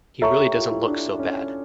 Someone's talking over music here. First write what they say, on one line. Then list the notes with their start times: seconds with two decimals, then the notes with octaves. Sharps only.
He really doesn't look so bad.
0.22 A4 C#5 E5 A#5 C#6
0.39 G4
0.55 F4
0.71 E4
0.87 D4
1.19 C#4